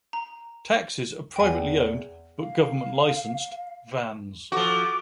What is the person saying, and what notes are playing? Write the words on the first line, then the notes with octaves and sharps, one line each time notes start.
Taxis are privately owned, but government licensed, vans.
A#5
E2 G5 G#5
F5
F3 F#4 A4 D6